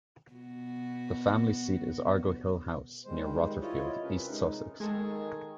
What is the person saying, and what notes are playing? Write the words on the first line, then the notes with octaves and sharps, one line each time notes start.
The family seat is Argo Hill House, near Rotherfield, East Sussex.
B2 F#4
D#3 G3 G#3 C5
E4 F4 C#5 D#5
C3 C#4 A#4 B4
G#3 D#4
D#3 G#3 G#4 A4